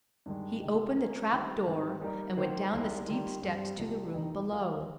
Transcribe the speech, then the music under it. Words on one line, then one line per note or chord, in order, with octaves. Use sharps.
He opened the trap-door, and went down the steep steps to the room below.
G2 D#3 G#3
C3 D#3 G#3
F3 A#3 C#4
D#3 G3 C4
G#2 D#3 G3 C4 D#4
G3 A#3 D#4 G4 A#4
D#3 A#3 F4 C5
C2 C3 D#3 G#3
D#3 G3 A#3 F4
G2 G3 C4
C2 C3 F3 G#3
F2 C3 D#3 A#3 D#4
G3 A#3 F4 A#4 F5